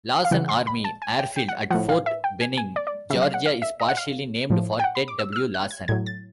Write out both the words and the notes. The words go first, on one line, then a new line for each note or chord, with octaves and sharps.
Lawson Army Airfield at Fort Benning, Georgia is partially named for Ted W. Lawson.
F5
C#3 E3 F#5
C6
B5
A5
G#5
G5
G5
F#5
A2 F3 F#5
F5
E5
G5
G#5
G#5
D5
D5
C#3 E5
F#3
F5
F#5
F5
E5
D#5
F#5
F5
A2 F3
G5
F#5
B5
D6
E6
E6
F6
F#6
G#6
A2 F#3 G#6
A6